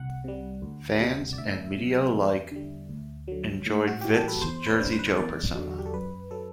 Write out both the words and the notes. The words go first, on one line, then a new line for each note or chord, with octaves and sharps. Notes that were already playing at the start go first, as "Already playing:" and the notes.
Fans and media alike enjoyed Vitt's "Jersey Joe" persona.
Already playing: C2 F#5
C3 G3
D2
C3 G3
D5
D2 E5
C3 F#3
E2
D3 G3
D2
D3 F#3
A2
F#4
E3 G3 G4
A4
B4
E2 C5
B4
D3 G3
C5
B4
C5
E2 D5
D3 F#3
F#4
G4
A4
F#2 B4
F#3 A4